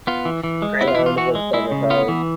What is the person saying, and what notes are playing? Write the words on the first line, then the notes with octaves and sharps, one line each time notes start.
Greyhound was then retired.
B3 F4
E3
E3
G#3
B3 E4
F4
E4
E3
F4
E3 F#4
G#3
G#3 E4
C#3
B3 F4
E3